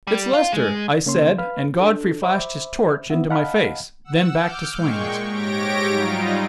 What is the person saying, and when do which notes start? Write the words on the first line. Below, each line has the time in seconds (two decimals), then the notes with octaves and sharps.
"It's Lester," I said, and Godfrey flashed his torch into my face, then back to Swain's.
0.07 G3
0.33 F4
0.52 G#3
1.06 C#3 A#3 C#4 C#5 C6
1.38 B4 F5 B5 F6
1.80 D4 A4
2.23 C5 E5 B5 D6
3.10 B3 C4 E4 E5 F#5
3.30 D#5 F5 F#5 A5 B5 F6
4.04 F#5 E6
4.37 D6 F6 G6
4.76 A#2 G#3 G5 C#6
5.26 G#2 G4 C#5 A#6 D7
5.86 F#3 G3 D#4 F4